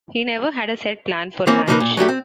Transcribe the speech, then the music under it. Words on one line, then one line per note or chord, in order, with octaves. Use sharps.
He never had a set plan for a match.
E3 A#3 C4 C#4
C#3 F3 A#3 D#4 A#4 B4
A#2
F#3 G3 A3 G4
C4